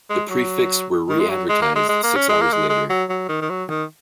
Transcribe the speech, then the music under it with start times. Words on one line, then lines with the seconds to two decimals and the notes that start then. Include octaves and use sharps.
The prefix were re-advertised six hours later.
0.10 G#3
0.30 F#3
1.10 D#3
1.20 G#3
1.30 F#3
1.49 G#3
1.62 A#3
1.76 G#3
1.89 G#3
2.03 A#3
2.16 C#4
2.29 G#3
2.42 A#3
2.53 G#3
2.70 G#3
2.90 F#3
3.10 F#3
3.29 D#3
3.42 D#3
3.50 F#3
3.70 D#3